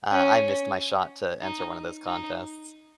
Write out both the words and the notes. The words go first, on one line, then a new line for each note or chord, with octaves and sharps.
uh, I missed my shot to enter one of those contests.
C#4
D#4
D#4